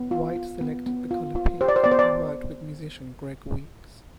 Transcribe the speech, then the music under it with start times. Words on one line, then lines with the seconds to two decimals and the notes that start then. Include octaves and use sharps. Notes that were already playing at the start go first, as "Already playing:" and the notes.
White selected the color pink, and worked with musician Greg Weeks.
Already playing: B3
0.11 F4
0.36 F4
0.61 B3
0.86 B3
1.11 F4
1.36 F4
1.61 G4 C5
1.68 D5
1.76 C5
1.84 B3 D5
1.91 C5
1.99 D5